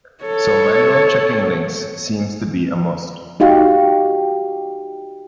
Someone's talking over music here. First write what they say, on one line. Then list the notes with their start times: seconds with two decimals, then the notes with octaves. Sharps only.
So manual checking links seems to be a must.
0.24 A4 C#5
3.40 D#4 F#4 G4 F5